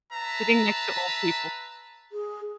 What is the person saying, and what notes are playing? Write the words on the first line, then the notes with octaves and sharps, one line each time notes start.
Sitting next to old people.
B4 E5 A5 A#5
G#4